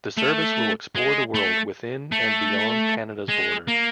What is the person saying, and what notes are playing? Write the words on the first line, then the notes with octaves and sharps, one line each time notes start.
The service will explore the world within and beyond Canada's borders.
A3
G#3
A3
A3
G#3
A#3